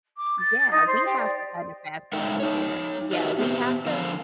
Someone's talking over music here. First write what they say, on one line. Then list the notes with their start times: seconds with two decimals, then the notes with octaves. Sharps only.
Yeah, we have to kind of pass that out there. Yeah, we have to
0.17 D6
0.40 A6
0.71 D#4
0.87 C5
1.06 G4
1.18 D5
2.13 G#3 D#4 A4 A#4 E5 G5
2.40 D#4 C#5
3.13 F#4 G4 B4 D#5 E5
3.38 B3 G4 C5
3.86 D3 F3 A#4 F5